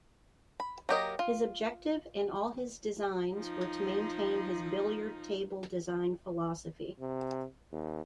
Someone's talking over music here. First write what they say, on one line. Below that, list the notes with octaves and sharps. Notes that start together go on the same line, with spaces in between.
His objective in all his designs were to maintain his "billiard table" design philosophy.
B5
F#3 A#3 G4 A#4 D#5
F4
F3 D#4
C3
D#2